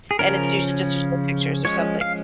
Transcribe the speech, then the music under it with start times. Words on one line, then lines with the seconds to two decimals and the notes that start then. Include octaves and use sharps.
and it's usually just to show pictures or something.
0.11 G#4
0.19 C#3 F3 C#4 A#4
1.65 F3 G#3 C#4 C#5
2.01 F5